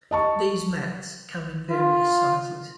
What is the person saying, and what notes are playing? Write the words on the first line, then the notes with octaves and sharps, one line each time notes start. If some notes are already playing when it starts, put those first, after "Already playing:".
These mats come in various sizes.
D#5 A5 C#6
F4